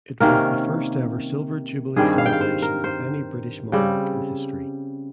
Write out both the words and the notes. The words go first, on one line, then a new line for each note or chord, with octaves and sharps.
It was the first ever Silver Jubilee celebration of any British monarch in history.
C3 D#3 A#3 C#4 A#4
G2 D#3 G3 C4 G#4
F5
G5
F5
C5
A#4
C5
C#3 G3 C4